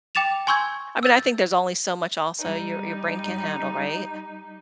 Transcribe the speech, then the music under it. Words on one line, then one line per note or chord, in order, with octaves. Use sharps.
I mean, I think there's only so much also your, your brain can't handle, right?
G5 D6 A6 E7 F7
G#5 C6 C#6 E6 G6 G#6
E6 G6 A6
G3 D#4